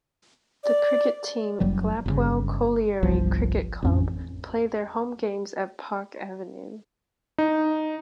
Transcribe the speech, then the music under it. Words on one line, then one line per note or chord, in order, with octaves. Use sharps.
The cricket team "Glapwell Colliery Cricket Club" play their home games at Park Avenue.
D5
F#1 F#3 G3
G1 C#3
G1 C2 F3
A1 F2 C#4
D#4